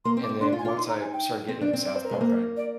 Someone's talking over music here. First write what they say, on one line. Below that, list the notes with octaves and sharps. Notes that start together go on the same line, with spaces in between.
and then once I started getting into South Park, I
A#3 C6
C4
D6
C4
D4 C6
F4
G#5
F4 D6
D#4 C6
A#5
G#5
G5
C4
D4
C4
D5
C5
A#4
G#3
C5
A#3
D5